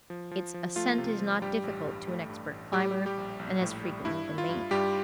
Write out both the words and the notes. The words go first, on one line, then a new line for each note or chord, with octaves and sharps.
Its ascent is not difficult to an expert climber, and has frequently been made.
F3
F3
F3
A3 F4
C3
F3
G2 G3 G4
A1
G2
A3
G2
A1
A2 G3 G4
G3
G3 G4
A#1
A#1
A2
G3
G2 E4
G2
F4
G2
G2 G3 G4